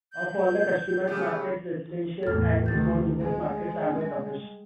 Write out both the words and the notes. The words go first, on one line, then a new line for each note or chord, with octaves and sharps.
Of all the customer markets, residential and small business markets are the toughest.
G6
C#3 A3 G4
E2 A2 E3 A4 F6
D2 C3 D#3 B4 G6 A6
G#3
G3